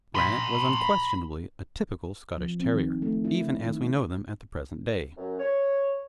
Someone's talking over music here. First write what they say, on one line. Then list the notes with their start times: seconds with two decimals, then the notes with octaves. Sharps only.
Granite was unquestionably a typical Scottish Terrier, even as we know them at the present day.
0.16 B5 C6
2.37 F3
2.60 C4
2.72 D#3
3.02 A3
3.24 E4
3.66 D#3
5.17 F#2
5.39 C#5